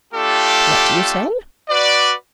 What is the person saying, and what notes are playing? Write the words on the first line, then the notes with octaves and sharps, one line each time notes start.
"What do you say?"
A3 D4 F4 G4 A4
F#4 B4 D5